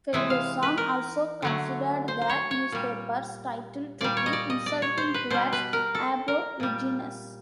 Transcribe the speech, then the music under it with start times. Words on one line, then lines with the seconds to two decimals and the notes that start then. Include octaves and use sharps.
Ferguson also considered the newspaper's title to be insulting towards Aborigines.
0.13 C3 E3 G#3 E5
0.30 F5
0.63 B4
0.78 A#4
1.42 D3 F#3 A3
2.08 C5
2.22 C5
2.30 C#5
2.51 C#5
2.72 A#2 G3
4.01 A#2 G3 D5
4.17 C#5
4.26 D#5
4.33 D5
4.50 D#5
4.66 D5
4.82 C#5
4.98 C5
5.14 B4
5.30 B2 G3 C5
5.53 B4
5.73 A#4
5.95 A4
6.28 A#4
6.60 A#2 G3